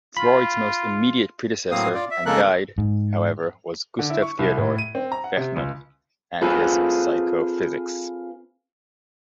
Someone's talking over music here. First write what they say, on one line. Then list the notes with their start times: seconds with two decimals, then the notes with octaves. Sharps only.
Freud's most immediate predecessor and guide however was Gustav Theodor Fechner and his psychophysics.
0.17 F4 B5
1.71 A2 F#3 A#3 C4 F5 D#6
1.94 F4 D5
2.11 E5
2.26 C#3 G#3 A#3 A4 A#4 F#6
2.78 G#2
3.99 D3
4.10 E4
4.22 C#6
4.39 C2
4.58 A2
4.78 D#7
4.95 C4
5.12 A#5
5.24 F#5
5.37 C3
5.56 C#2
6.42 C4 F4 G#4 A4 B4